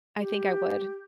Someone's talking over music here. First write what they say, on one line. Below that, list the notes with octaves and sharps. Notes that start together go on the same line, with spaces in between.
I think I would.
G4